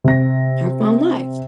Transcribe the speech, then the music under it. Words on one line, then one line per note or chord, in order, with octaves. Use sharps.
I have my own life."
C3 A#6